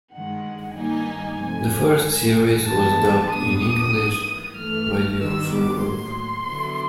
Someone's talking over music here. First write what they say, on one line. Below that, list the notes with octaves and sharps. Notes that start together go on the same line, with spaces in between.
The first series was dubbed in English by The Ocean Group.
G2 D#3 G#3 F#5
G2 D#3 G3 A#3 D#4 G#5
C3 F3 A3
G2 E3 G#3
A2 E3 G#3 B3 A5
E2 B2 G#3 B3 D4 D#6
G#2 E3 G3 A#3
G2 E3 A3 F6
G2 D#3 G3 B3 E6
D6
A2 F#3 A#3 C6
D3 F#3 B3 E4